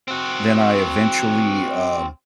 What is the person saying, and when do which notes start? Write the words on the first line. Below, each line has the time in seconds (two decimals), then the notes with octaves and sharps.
then I eventually, um,
0.08 C4 F#4